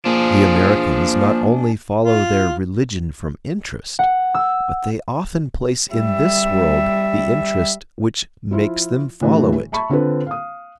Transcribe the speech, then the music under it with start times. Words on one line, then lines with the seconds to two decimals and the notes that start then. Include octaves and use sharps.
The Americans not only follow their religion from interest, but they often place in this world the interest which makes them follow it.
0.05 F3 A#3 D4 G#4
2.02 F4
3.99 F#5
4.34 E6
5.92 G3 E5
8.51 F3 E4 F4
9.21 A2 D3 E3 F#3 G3 A3
9.72 E5 A5 B5 C#6
9.90 D3 C4 D4 F4 A4 B4
10.26 F5 D#6